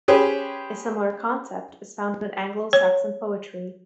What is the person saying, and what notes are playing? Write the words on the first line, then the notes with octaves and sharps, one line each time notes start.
A similar concept is found in Anglo-Saxon poetry.
C#4 G4 G#4 B4 C5
C#5